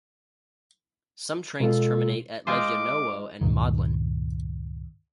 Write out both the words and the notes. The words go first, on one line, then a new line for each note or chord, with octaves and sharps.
Some trains terminate at Legionowo and Modlin.
B2 G#3 F4 A4
G#3 F4 C5 D6
C#2 G2 A#2 D#3